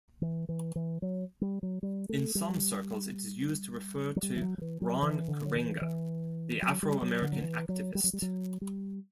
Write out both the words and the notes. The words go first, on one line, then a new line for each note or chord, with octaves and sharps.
In some circles it is used to refer to Ron Karenga, the Afro-American activist.
E3
E3
E3
F#3
G3
F#3
G3
A3
G3
F#3
G3
E3
F#3
F#3
E3
F#3
E3
D3
F#3
E3
E3
F#3
G3
F#3
D3
F#3
E3
F#3
G3
F#3
G3
F#3
G3